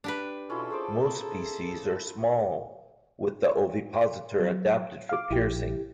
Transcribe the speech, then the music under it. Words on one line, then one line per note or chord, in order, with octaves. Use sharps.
Most species are small, with the ovipositor adapted for piercing.
D4 G4 B4
B2 C#4 E4 F4 A4
A3 G#4 C5 D6
A#3
F#3
F5 D6
A#1 E4 G4